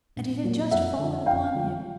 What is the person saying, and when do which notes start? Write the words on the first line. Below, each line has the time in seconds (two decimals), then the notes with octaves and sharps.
And it had just fallen upon him.
0.16 A#1
0.44 A#2 F#3 A#3
0.71 F2 E5 F#5
0.99 D3 F3
1.26 F2 F5 G5
1.54 D3 F3